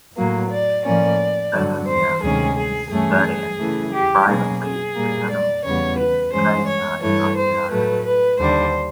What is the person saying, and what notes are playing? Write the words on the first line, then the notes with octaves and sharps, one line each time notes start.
Earlier he had studied privately piano with Kaisa Arjava.
A2 F#3 A#3
D5
A2 F3 A#3 C#4 D5
G2 D3 F#3
C5
D2 C3 D#3 G#3 C#4 G#4
G#4
G2 E3 A3 C#4 G#4
C#3 E3 A3
G4
B2 F#3 A#3 C#4 G#4
G#4
A#2 G3 A#3
D5
E2 C#3 E3 G3 B3 C#5
B4
G2 E3 G#3 C#4 C5
C#5
G2 E3 A3 C#5
C5
A2 F#3 A3 B4
B4
D#2 D3 G3 C5